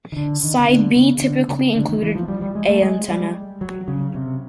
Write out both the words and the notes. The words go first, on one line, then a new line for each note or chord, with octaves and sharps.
Side B typically included a antenna.
D#3
D3
D#3
C#3
D3
C#3
D#3
D3
C#3
D3
D#3
F3
E3
F3
G3
G3
G#3
A3
G#3
G3
F#3
C#3
C3